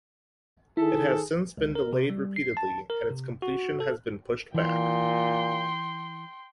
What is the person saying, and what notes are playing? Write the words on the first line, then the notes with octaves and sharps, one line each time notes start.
It has since been delayed repeatedly and its completion has been pushed back.
D#3 E4 G#4 A4
C#2
A#4
C3
G3
C7
A5
A#4
C3
F#4
A4
A#2 E3 G5 C6